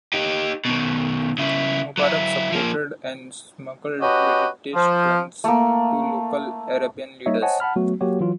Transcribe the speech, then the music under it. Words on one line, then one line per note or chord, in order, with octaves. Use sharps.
Mubarak supported and smuggled British guns to local Arabian leaders.
D#4 G4
B2 D#3
C#3 E4
F#3 E4
F3 A#3
C#4 F#4 G4 B4 D#5
F3
A3 A#3
G3 A#3 D#4 C#5 D#5 E5
C5 C#5 D#5 F#5 G#5 A5
F#5 A5 B5 F6
F#3 A3 B3 F#4
F#3 A#3 F#4 G4 C#5
E3 F#3 F4